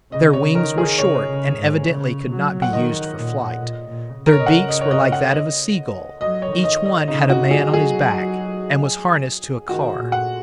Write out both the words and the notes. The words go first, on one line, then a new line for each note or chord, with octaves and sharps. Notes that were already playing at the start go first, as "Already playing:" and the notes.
Their wings were short, and evidently could not be used for flight; their beaks were like that of a sea-gull; each one had a man on his back, and was harnessed to a car.
C#3 D#5
C#5
D#3 A#4
G#4
C#3 C#5
C#3
G#2
C#3
F#3
F#5
D#3 D#5
A#2
A#2
A#2
C#3
A#4
C#5
D#5
F#5
D#5
C#5
D#5
F#5
D#5
F#3 D#5
C#5
D#3
D#5
D#5
C#3 D#4
F#4
F#3 G#4
G#4
D#3 F#4
A#2
F#5